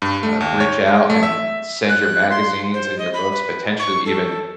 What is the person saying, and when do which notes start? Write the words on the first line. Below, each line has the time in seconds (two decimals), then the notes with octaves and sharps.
uh, reach out and send your magazines and your books potentially even
0.02 G2
0.23 A3
0.41 D#2
0.60 C#5
0.87 G#3
1.10 A3
1.23 E5
1.89 F#6
2.30 C6
2.74 C5
2.99 D#5
3.14 B5
3.32 B4
3.79 C#6
4.05 A4